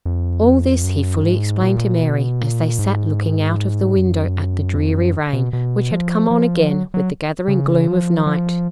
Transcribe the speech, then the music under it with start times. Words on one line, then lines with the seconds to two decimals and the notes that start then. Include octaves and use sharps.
All this he fully explained to Mary, as they sat looking out of the window at the dreary rain which had come on again with the gathering gloom of night.
0.05 F2
0.84 F#2
1.23 G#2
1.62 A#2
2.02 B2
2.40 A#2
2.79 G#2
3.97 F#2
4.74 F2
4.94 F#2
5.33 B2
5.53 B2
5.91 F3
6.31 F3
6.70 F#3
6.94 F#3
7.48 C#3
7.88 F3
8.27 F3